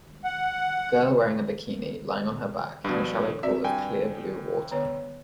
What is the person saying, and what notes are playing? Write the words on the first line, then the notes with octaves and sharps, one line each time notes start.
Girl wearing a bikini lying on her back in a shallow pool of clear blue water.
F#5
G2 B2 F3 D4
C4 F#4 D5 E5
G2 G5 G#5
D3 B3 C#5